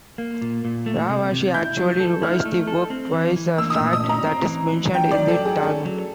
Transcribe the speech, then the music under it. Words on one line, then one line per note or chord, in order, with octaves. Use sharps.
Rav Ashi actually revised the work twice-a fact that is mentioned in the Talmud.
A#3
A#2
A#2
A3
C3
C3
E4 G6
F#3
A4
E4 F6
A3
A4
C4
E3
E3
A#3 E6
D#6
E6
A#2
D#6
C#4
A#5
C4
E3
E3
C#4 G5
D5
F#3
A4
F#3
G#4
C#4 A4
F#3